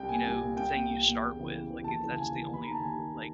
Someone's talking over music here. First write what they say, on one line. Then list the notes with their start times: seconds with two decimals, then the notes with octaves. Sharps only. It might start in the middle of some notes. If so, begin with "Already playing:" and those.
you know, the thing you start with, like, if that's the only, like,
Already playing: C2 G5
0.09 A#2 G#5
0.25 C2 G#5
0.40 A#2
0.57 C2 G5
0.72 A#2
0.88 C2
1.04 A#2
1.21 E2
1.36 C#3 E3
1.52 E2
1.68 C#3 E3
1.84 D#2 A5
2.00 C#3 E3
2.16 D#2 G#5
2.32 C#3 E3
2.48 D#2
2.53 B5
2.62 D#3 A#5
2.71 A5
2.79 D#2 G#5
2.95 D#3